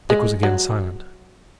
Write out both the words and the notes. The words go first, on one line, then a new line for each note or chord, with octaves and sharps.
Dick was again silent.
G#3
F#3